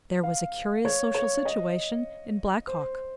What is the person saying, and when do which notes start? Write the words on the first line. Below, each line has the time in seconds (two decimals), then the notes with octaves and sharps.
THERE was a curious social situation in Black Hawk.
0.23 F5
0.85 C#5
1.15 C#5
1.45 D#5
2.67 C5